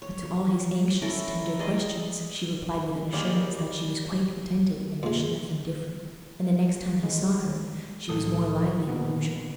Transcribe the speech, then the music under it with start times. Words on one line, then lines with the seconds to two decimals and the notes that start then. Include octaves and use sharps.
But to all his anxious, tender questions, she replied with an assurance that she was quite contented and wished nothing different; and the next time he saw her she was more lively than usual.
0.02 C#5
1.02 C#4 E4 A4 A#4
1.59 G#4 D5 D#5
3.12 E3 F3 G3 G#3 A#3 G#4
5.03 A#2 G#3
7.03 E3 G#3
8.09 C2 A2 A4 D#6
8.88 A#2 D3 B3